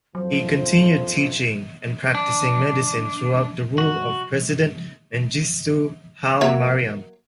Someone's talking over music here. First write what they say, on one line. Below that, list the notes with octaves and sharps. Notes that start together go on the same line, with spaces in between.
He continued teaching and practicing medicine throughout the rule of President Mengistu Haile-Mariam.
F2 G#2 F3 F#3 C5
D4
F#4
F#3 A#3 E5